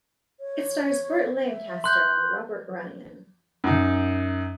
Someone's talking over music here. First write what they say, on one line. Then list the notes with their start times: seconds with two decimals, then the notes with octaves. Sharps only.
It stars Burt Lancaster and Robert Ryan.
0.40 C#5
1.47 E5
1.84 C6 F#6 G6
3.64 F#2 D#4